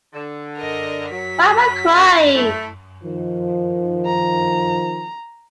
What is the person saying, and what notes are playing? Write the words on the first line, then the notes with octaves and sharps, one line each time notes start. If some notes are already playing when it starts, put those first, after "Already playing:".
Why am I crying?
D3
A#4 D#5
F#3 B6
A3 E4
D#3 F3
A#5